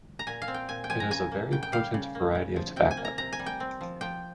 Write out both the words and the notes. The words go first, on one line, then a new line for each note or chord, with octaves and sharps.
It is a very potent variety of tobacco.
A#5
A#2 G#5
F5
C4
G5
A#2 G#5
G5
F3 G#5
A#5
C#3 G#5
A#3
C#3 G5
G5
G3 F5
C#3
A#3
C#3
F3
C3 G5
G#5
A#3
A#5
C3 A#5
G#5
G3
G5
C4
F3
F3 G5